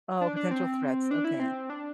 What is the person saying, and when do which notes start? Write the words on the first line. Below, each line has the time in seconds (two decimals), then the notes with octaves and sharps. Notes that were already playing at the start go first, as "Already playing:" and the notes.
Oh, potential threats okay.
0.21 D4
0.36 D4
0.51 C4
1.11 D4
1.24 E4
1.39 C4
1.70 D4